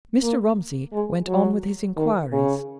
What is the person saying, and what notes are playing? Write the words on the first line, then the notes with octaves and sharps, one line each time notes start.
Mr. Romsey went on with his inquiries.
A#3
G#3
F#3
D#3
C#3